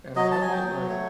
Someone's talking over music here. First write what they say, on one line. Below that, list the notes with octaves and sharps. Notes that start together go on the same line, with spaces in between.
and I haven't, like,
F#3 D#5
A5
G#5
F#3 G5
A3 C#5